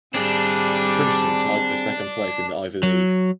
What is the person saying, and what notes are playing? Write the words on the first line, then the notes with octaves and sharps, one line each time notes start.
Princeton tied for second place in the Ivy League.
G3 C4 D4 G#4
F#3